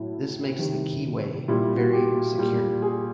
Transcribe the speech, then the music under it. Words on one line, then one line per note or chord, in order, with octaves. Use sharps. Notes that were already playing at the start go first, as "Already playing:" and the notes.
This makes the keyway very secure.
Already playing: A2 F#3 A3 E4
C3 D#3 G3
A#2 G3 E4
F#4
G4
A#2 G3
G#4